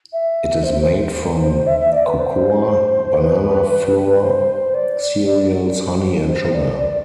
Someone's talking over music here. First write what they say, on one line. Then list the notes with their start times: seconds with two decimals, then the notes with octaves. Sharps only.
It is made from cocoa, banana flour, cereals, honey and sugar.
0.12 E5
0.63 C5
0.81 C5
0.98 C5
1.67 E5
1.80 E5
1.92 D5
2.06 B4
2.18 C5
3.20 B4
4.23 C5
4.74 D5
5.25 D5
6.28 C5
6.54 D5
6.79 D5